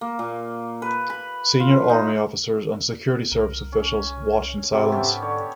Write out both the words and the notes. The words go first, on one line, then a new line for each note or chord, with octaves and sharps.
Senior Army officers and security service officials watch in silence.
A#3
A#2
B4
B5
F4
D#4
C2 A#4
C#4
G#5
G#2 C3 B3 C4
C#4 G4 A4
D3 C#5